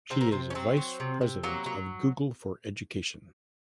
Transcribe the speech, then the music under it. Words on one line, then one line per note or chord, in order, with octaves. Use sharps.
She is vice president of Google for Education.
C3 C4
A#3
C3 C4
C#4
F#3 C4
F#3
C3
C3
F#3 A#3
F#3